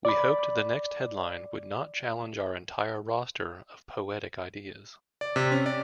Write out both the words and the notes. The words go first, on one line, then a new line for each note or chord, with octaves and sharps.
We hoped the next headline would not challenge our entire roster of poetic ideas.
D5 B5
D5
C3
C#4
D5